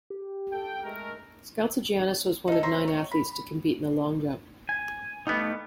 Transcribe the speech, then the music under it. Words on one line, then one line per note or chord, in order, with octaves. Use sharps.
Skaltsogiannis was one of nine athletes to compete in the long jump.
G4
A4 G5
G#3 A3 A#4
D#4 A4
C5 C#5 E5 A#5
C#5
B5
G#5
G2 G3 A3 B3 D#4